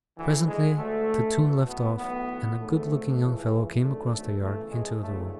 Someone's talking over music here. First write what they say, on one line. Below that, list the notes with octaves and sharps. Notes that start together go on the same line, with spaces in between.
Presently the tune left off, and a good-looking young fellow came across the yard into the room.
D2 D3 E3
G#3
D2 D3 A3
E2 B2
B3
B1 A2 E3 B3
G#1 G#2 E3 A3
C#2 C#3 E3
G#1 F#2 D3 A3
A3
E2 C#3 E3 A3
G#3
D2 C#3 E3 A3